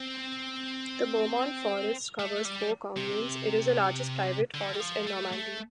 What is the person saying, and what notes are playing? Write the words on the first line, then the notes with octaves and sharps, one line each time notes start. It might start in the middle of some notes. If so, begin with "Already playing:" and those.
The Beaumont forest covers four communes; it is the largest private forest in Normandy.
Already playing: C4
A3
G3
C3
D3
G3
F3
A3
A3